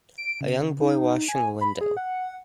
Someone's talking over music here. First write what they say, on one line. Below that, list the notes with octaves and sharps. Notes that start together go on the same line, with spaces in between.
A young boy washing a window.
D7
C#3
D#4
G#5
B5
G#4
F#5